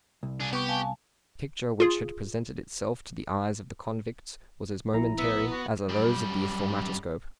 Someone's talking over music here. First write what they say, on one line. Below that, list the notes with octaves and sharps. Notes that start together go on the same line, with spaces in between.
The picture which had presented itself to the eyes of the convicts was as momentary as are those of the thaumatoscope.
C2
D4 G#4
B3 G4 C#6
F5 G#5 A5
F4 G#4
A#1 E4 A#5
B3 E5
F#4
F#2 G3